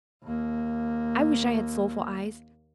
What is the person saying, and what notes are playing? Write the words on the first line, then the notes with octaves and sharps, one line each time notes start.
I wish I had soulful eyes.
D#2 A#3